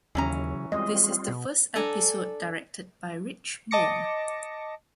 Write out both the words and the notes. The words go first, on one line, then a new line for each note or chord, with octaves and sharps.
This is the first episode directed by Rich Moore.
D#2 C#3 E3 F#3 C#4 A#5
G3 G#3 C4 F4 D#5
B2
D4 A4 G#5 A#5
D#5 A5 D6 A#6 C#7